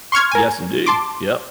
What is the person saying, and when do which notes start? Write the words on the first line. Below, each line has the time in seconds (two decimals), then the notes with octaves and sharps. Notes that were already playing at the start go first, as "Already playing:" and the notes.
Yes, indeed, yep.
0.12 C6 C#6 F6 G#6
0.31 A#4 G#5
0.86 A5 C6 D6